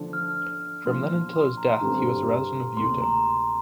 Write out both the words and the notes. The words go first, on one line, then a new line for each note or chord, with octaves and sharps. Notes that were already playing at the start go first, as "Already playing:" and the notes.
From then until his death, he was a resident of Eutin.
Already playing: D3 F3 D4 F4
F6
A#2 F3 D4 F4 C6
C6
A#5
C6
A#5
G2 D3 G3 C4 G4
D2 C3 A#3 C6
A#5
C6